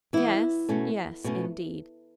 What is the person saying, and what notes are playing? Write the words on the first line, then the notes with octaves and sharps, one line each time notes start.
'Yes, yes, indeed.
E3 B3 E4
B2 A3 C#4
B2 A3 C#4